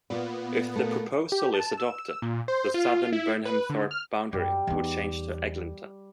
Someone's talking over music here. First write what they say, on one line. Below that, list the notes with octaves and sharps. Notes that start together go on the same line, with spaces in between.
If the proposal is adopted, the southern Burnhamthorpe boundary would change to Eglinton.
A#2 B3 F4 D5
A3 A#3
G4
A5
E6
A#2
C5
F4
E4
B4
D3
F6
F#2 G3
E2 D#4